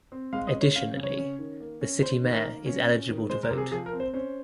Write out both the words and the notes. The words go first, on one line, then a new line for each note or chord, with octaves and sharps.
Additionally the city mayor is eligible to vote.
C4
G#3 F5
D#5
C#4
C#5
C#4 F5
C#3
C#5
C#4
D#3
A#3
C#4
C#4 C5
D#3
A#4
A#3
C#4
C#4
D#3
G#3 C5
A#4
C3
G#4
F3 G#4
A#4
C4
C5
C#4 C5